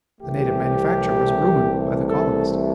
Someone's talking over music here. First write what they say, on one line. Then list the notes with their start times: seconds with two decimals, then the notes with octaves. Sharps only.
The native manufacturer was ruined by the colonist.
0.21 C2 C3 E3 A3 G4
2.06 A4